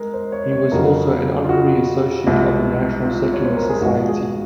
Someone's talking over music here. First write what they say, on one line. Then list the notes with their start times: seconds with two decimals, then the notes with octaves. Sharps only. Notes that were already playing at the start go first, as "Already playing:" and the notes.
He was also an honorary associate of the National Secular Society.
Already playing: G#3 A#4
0.14 C5
0.32 C#5
0.52 C#5
0.71 F2 C#3 F#3 A#4
1.44 F4
1.49 F#4
2.26 C2 C3 F3 G#3
3.04 F4
3.34 C#5
3.45 C5
3.57 A#4
3.70 G#4
3.81 G#1 G#2 F3 F#4
4.08 G#4